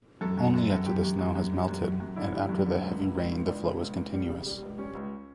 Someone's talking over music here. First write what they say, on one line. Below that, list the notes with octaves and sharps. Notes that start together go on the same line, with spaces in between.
Only after the snow has melted and after the heavy rain the flow is continuous.
F#2 A4
F#2
F#2
F#2
A4
F#2 G4
F#2
F#2
F#2
G3
F#2
F#2
F#2
D3 E4
G3
F#2
D3
C#2
C#2
C#2
C#2
C#2 D4
C#3
C#2
C#2
G3
C#3
G3
C#2
G3 C#4
C#2